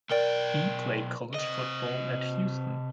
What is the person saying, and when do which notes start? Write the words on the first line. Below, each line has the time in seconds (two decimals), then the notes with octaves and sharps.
He played college football at Houston.
0.10 B1 A#4 D5 G5
1.34 C3 D#5